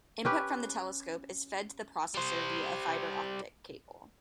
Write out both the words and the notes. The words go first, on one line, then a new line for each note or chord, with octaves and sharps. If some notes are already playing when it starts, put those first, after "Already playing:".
Input from the telescope is fed to the processor via a fiber optic cable.
C#4 G4 B4
G3 C5